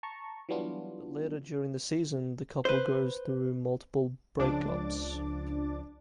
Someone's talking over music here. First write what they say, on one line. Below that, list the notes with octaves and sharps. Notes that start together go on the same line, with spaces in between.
But later during the season the couple goes through multiple breakups.
A5 A#5 C#6
E3 F#3 G3 B3 D4 F4
B4 C5
C#2 F3 D4 D6 A6